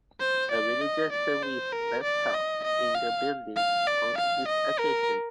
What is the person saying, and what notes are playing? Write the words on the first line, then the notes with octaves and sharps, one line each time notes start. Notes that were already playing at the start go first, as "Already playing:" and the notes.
A religious service was held in the building on this occasion.
C5
D5
D#5
D5
C5
A#4
D5
D#5
D#5
F5
F5
D5
F5
D#5
A#4